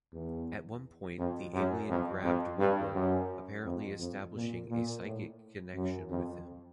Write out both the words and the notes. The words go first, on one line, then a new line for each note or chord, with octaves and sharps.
At one point, the alien grabbed Woodward, apparently establishing a psychic connection with him.
E2
F2
F#2
F2
F2
G2
F#2
F2
F2
A#2
A#2
A2
F#2
F2